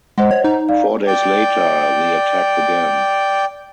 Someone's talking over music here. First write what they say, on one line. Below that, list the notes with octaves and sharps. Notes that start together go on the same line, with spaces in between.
Four days later, the attack began.
G#3 C5 D#5 F#5
C#5
D#4
D5 F5
D5 G5